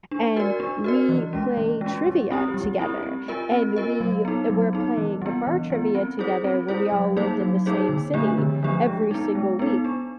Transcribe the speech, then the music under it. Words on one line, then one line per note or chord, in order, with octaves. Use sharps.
and we play trivia together, and we were playing the bar trivia together when we all lived in the same city, every single week.
D4
F#4 A#4 D5
D4
F#4 A#4 D5
E3
G#3 C#4
E3
G#3
C#4
G3
C4 E4 G4
G3
C4 E4 G4
C4
F4 A#4 D#5
C4
F4 A#4 D#5
F#3
B3 D#4
F#3
B3 D#4
E3
G3 B3
E3
G3 B3
C4
E4 G#4 C5
C4
E4 G#4 C5
F#3
A#3 D#4 G#4 C5
F#3
A#3 D#4 G#4 C5
D3
F3 A3 D4 G4
D3
F3 A3 D4 G4
G#3
B3 D#4
G#3
B3 D#4
D4